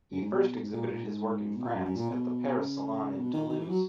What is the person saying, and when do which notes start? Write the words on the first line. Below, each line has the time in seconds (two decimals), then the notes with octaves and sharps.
He first exhibited his work in France at the Paris Salon and in Toulouse.
0.12 F#2
0.22 G#2
0.32 B2
0.63 G#2
0.73 A#2
0.89 A#2
1.04 G#2
1.56 B2
1.65 A#2
1.75 F#2
1.85 F#2
1.96 A#2
2.10 B2
2.57 C#3
3.18 B2
3.33 D#3
3.49 D#3
3.59 E3
3.69 F#3